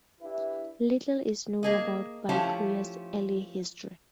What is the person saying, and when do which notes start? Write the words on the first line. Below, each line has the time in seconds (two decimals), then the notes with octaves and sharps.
Little is known about Byakuya's early history.
0.21 D4 E4 G4 B4 E5
1.63 A#3 G#4 D#5
2.29 F3 A3 C#4 E4 F4 G4